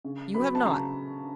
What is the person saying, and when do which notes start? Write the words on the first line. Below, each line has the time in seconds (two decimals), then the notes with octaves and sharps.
You have not.
0.04 C#3
0.34 F#3 B3 B5
0.55 A5
0.65 C#3 A#5